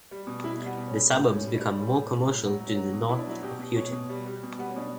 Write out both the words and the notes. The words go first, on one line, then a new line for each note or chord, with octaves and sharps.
The suburbs become more commercial to the north of Houghton.
G3
B2
B2 E4
G3
B3
B2
C#4
B2
A2 B3
A2
C#4
G3
D4
G3
A2 C#4
A2
G3
A2
F#3 B3
F#3 C#4
F#3
B2
B2 E4
D4
F#3 E4
B2 G4
B2
B2 C#5
B2
G3
G3
B2
G3 B3
C#4
B2 D4